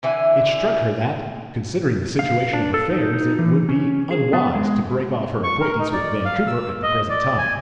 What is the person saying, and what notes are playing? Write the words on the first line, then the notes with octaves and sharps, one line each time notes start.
It struck her that, considering the situation of affairs, it would be unwise to break off her acquaintance with Vancouver at the present time.
D3 E3 G#5
F5
D4
A4
D#4
D#4
E3
C#4
G#4
B3
G#3
C#6
A#4
D#4
D5
F5
E6
D#5
D5
G#5